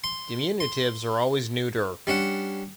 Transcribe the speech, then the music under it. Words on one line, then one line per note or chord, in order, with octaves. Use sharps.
Diminutives are always neuter.
C6
C6
G3 C#4 D4 F#5